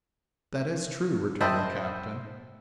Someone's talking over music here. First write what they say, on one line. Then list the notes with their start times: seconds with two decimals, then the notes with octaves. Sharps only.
"That is true," returned the captain.
1.41 C5 D#5 E5 G5 A5 B5